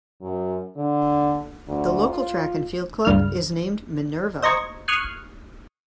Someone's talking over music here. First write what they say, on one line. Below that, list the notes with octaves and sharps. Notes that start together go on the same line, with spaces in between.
The local track and field club is named Minerva.
F#2
D3
D2
F4
C#2 G2 F6
C5 D#5 A#5 C#6 G#6
C#6 D#6 F6 F#6 G#6 C7